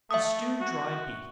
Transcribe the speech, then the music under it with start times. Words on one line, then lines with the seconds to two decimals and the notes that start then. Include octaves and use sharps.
To Stew Dried Beef.
0.11 A3 E5 D#6
0.60 F#4